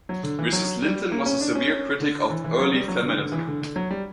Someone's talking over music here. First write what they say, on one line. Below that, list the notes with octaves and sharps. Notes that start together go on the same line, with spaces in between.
Mrs Linton was a severe critic of early feminism.
F#3
D3
E3
F#3
G3
A#3
C#4
D4
C#4
C#4
D3
E3
E3
F#3
G3
F#3
D3
D3
E3
D3
D3
F#3
G3